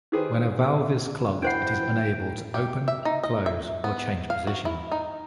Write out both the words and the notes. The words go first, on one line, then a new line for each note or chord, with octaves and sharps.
When a valve is clogged it is unable to open, close, or change position.
D#3 G4 G#4 B4 C5
D4 E4 C5 F#5 G5
G4
E5
D#4
D#5
E5
B3
F5
F#4
E4
D#4